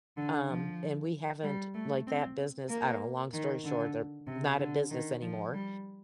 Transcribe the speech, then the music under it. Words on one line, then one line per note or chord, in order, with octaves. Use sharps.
um, and we haven't like, that business I know, long story short, they're not a business anymore.
D3
F3
G3
A3
C4
A#3
D#3
D3
C3
D3
D#3
F3
G3